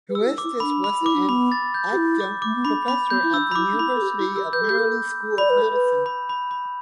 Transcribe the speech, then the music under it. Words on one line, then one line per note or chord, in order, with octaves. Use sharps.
Huestis was an adjunct professor at the University of Maryland School of Medicine.
B4
E6
G4
E4
D6
E4
D4 B5
B5
E4 D6
D4
B3 B5
A6
G6
G4
E4
D6
D6
A3
B3
D4 B5
B3 B5
B3 G6
E4
D4 E6
B5
E4 D6
D4
E4 B5
A4
G4
E4 D6
G4 E6
B4 G6
A4
G4 G6
A4
D5 B5
B4
A4
B4
B5
B5
B5